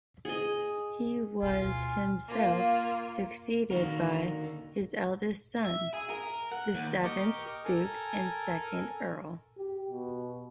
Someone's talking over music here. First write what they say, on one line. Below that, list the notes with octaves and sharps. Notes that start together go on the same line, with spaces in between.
He was himself succeeded by his eldest son, the seventh Duke and second Earl.
G#4 D#5
D2 B2 F4 G#5
A#3 F4
D3 D#3 A#3 F#4 A#4
E5
G#4
A#4
F#5
D#2
G4 A#4 D#5 C#6 D6 G6
A4 A#4 G#5
G4
B2